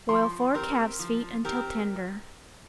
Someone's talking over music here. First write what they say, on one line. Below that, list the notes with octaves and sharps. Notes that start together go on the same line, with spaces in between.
Boil four calves' feet until tender.
F3 C6
C4 G4 A#4
F3
C4 G4 A#4